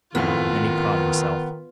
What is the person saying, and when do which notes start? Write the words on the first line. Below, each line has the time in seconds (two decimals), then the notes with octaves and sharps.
Then he caught himself.
0.15 F#1 F2 A2 D#3 B3 F4